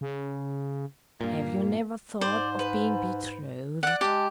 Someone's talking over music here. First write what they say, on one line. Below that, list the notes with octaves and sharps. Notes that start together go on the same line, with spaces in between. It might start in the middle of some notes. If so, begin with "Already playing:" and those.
"Have you never thought of being betrothed?"
C#3
G2 A#2 A#3
G#2 C5 D5
B4
D5 F#5 F#6
G#3 G4 A5